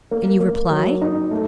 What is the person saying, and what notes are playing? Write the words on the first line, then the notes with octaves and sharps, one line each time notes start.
"And you reply?"
A#3
A#3
F#3
D#4
A3